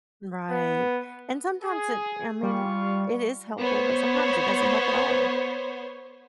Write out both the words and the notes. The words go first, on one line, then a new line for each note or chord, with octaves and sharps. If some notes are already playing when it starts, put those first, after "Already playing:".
Right, and sometimes it I mean, it is helpful, but sometimes it doesn't help at all.
B3
G#4
G3 F4 F5 C#6
B3 C5 C#5